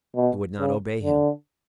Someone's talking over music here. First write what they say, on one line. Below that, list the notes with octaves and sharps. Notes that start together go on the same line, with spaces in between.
It would not obey him.
B2
C#3
D3